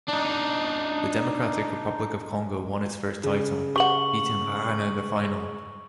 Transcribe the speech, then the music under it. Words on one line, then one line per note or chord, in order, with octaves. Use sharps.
The Democratic Republic of Congo won its first title, beating Ghana in the final.
D4 D#4
C#3
G4 F#5 C#6 F#7